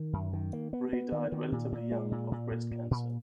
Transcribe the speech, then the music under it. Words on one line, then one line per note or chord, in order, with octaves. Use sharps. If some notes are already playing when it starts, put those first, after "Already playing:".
Ray died relatively young of breast cancer.
Already playing: D#3
F#2
D#3
A#3
B3
B3
D#3
D#3
A#2
A#2
G#3
A#2
A#2
A#2
A#2
A#2